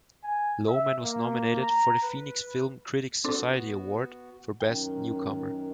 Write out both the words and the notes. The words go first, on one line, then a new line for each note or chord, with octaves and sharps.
Lohman was nominated for the Phoenix Film Critics Society Award for Best Newcomer.
G#5
E5
A#3
A#5
B4
B3 C4 D4 F#4 A4
F#2 D#3 G5